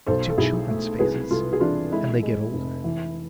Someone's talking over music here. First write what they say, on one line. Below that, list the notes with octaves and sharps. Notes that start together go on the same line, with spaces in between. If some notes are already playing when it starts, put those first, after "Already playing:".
The two children's faces, and they get older.
B1 A4 C5
A4
B1 E4 G#4
A3
C2 G#4 B4
C2 F4 A4
G#4
E3 D4 F4
G#3 E4
G#3
F1
E3